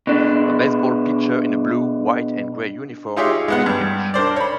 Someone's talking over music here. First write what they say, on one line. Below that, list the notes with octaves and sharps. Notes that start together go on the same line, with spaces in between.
A baseball pitcher in a blue, white and gray uniform midpitch.
B2 D4
D#4 F4 G4 G#4 C#5 E5
G#3 B3 F#5
G2
D4 A#4 C5 D5
C#5 B5